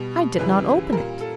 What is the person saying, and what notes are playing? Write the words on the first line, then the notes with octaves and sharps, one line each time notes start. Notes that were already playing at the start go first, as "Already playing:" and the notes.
I did not open it.
Already playing: B2 G3
F#2 C#3 E3 G3 B4
A#2 G3 A#4
A4